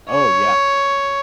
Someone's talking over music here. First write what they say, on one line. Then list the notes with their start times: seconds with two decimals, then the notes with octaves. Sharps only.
Oh, yeah.
0.10 C#5